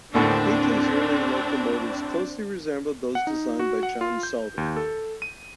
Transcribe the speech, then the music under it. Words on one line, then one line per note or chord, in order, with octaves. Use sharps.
Hinkley's early locomotives closely resembled those designed by John Souther.
D#2 A2 D3 C4 D4
F#5
D#4
F#4
F#5
F4
G6
D#2
A4
D#7